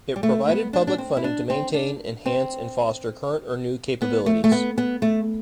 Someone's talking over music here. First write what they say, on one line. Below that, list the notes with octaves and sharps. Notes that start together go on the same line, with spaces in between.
It provided public funding to maintain, enhance, and foster current or new capabilities.
G3
A3
B3
D4
D4
C4
E4
D4
C4
D4
C4
B3
A3
A3
B3
B3
A3